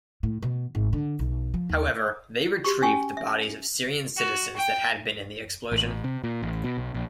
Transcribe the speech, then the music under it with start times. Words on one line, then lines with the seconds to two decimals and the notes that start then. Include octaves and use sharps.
However, they retrieved the bodies of Syrian citizens that had been in the explosion.
0.23 A2
0.42 B2
0.75 G#1
0.93 D3
1.19 B1
1.54 F3
1.69 D#2
2.65 F#4 G4 C#6
2.82 C#4 G#5 C#6
3.17 E5
4.16 F#4
4.56 G5
5.72 A1
6.04 C3
6.24 A#2
6.43 A1
6.64 B2
6.78 B1
6.94 A#1